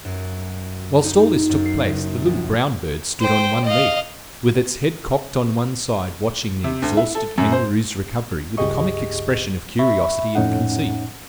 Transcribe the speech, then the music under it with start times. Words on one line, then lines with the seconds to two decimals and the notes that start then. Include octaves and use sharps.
Whilst all this took place, the little brown bird stood on one leg, with its head cocked on one side, watching the exhausted Kangaroo's recovery with a comic expression of curiosity and conceit.
0.05 F#2
1.04 D#4
1.49 F#2
1.66 C7
1.88 F#1
2.25 A#1
3.21 C5 G5
3.65 D#5 F5
6.64 C3
6.82 D2
6.97 E4
7.15 A4
7.38 F#2
7.52 C5
8.58 C#2 G2 G4 G#4 D#5 C#6
9.79 E5 B5 C#6
10.35 F2 A2 C#4 D#4 F#5